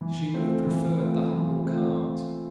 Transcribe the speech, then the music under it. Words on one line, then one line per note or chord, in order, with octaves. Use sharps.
She would have preferred the humble cart.
E3
A3 C4 F4
E3
A3 C4 F4
E3
A3 C4 F4